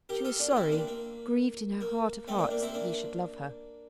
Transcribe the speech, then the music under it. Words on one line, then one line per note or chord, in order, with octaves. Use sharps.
She was sorry, grieved in her heart of hearts that he should love her.
G4 A#4
F4 A4
D4 F4
F4
C4 E4
A#3 D4
A#3
A#3
A3 C4
A#3 D4
A#3 D4
C4 E4
A#3 D4